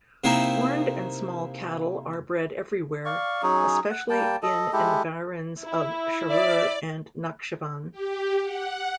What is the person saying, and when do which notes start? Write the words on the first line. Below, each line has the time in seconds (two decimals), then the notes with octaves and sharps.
Horned and small cattle are bred everywhere, especially in environs of Sharur and Nakhchivan.
0.24 C3 A#3 C4 D#4 E4
3.05 D5 F5 C#6
3.43 F#3 C#4 D#4 G#4
3.91 F#5
4.10 G3 A#3 G5 A5
4.43 A4 D#5
4.73 G#3 E4 G4 A4
5.63 E4
6.30 D5 E5
7.92 G4
8.43 F#5